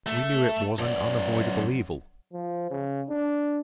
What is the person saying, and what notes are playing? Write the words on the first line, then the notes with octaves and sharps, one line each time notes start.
We knew it was an unavoidable evil.
A3
F#2 D5
F3
C#3
D4